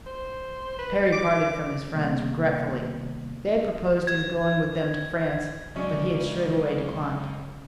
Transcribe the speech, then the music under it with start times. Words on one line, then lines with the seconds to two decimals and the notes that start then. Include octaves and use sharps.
Parry parted from his friends regretfully; they had proposed his going with them to France, but he had straightway declined.
0.06 C5
0.79 B4
1.13 D6
1.93 C3 D#3 G3 A#3 B3
4.07 G#6
5.76 C#3 F#3 G#3 C#4 D4 D#5 E5